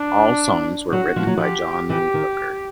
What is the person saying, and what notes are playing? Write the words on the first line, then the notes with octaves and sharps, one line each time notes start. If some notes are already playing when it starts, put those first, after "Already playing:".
All songs written by John Lee Hooker.
Already playing: D4
F#3 F#4
F3
F#3
F3 G4
E3 G4
D#3